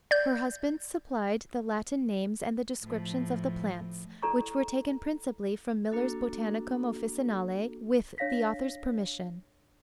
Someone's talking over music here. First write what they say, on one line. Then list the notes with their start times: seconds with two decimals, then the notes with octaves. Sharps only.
Her husband supplied the Latin names and the descriptions of the plants, which were taken principally from Miller's "Botanicum Officinale," with the author's permission.
0.11 D5 G6
2.83 A2 F3
4.22 E4 A4 D5 A#5 C#6
5.91 A#3 D4 F#4 A4
8.18 D4 C#5 F5 A#6 B6